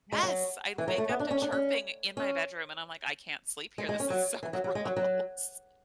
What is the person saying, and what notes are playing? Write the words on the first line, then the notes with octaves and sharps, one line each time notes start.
Yes! I'd wake up to chirping in my bedroom, and I'm like, "I can't sleep here. This is so gross."
G#3
F#3
E3
F#3
A3
B3
D4
C#4
D4
C#4
C#4
G#3
G#3
C#4
F#3
E3
F#3
F#3
G#3
F#3
F#3